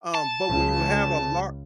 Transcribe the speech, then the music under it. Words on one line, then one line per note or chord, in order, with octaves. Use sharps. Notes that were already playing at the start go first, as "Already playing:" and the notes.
um, but when you have a lar
A5
C#2 C#3